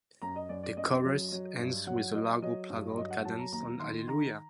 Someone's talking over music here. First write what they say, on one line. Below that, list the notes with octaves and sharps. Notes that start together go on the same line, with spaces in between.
The chorus ends with a largo plagal cadence on "Alleluia".
F#2 A#5
D#5
F#2 D5
D5
F#2 D#5
F#3
F#3
G2
F#3 F#5
F#3 D#5
F#3 D#5
G2
F#3 D#5
F#5
F#3 A5
A#5
D#2 A#5
D#3 C6
D#3 A#5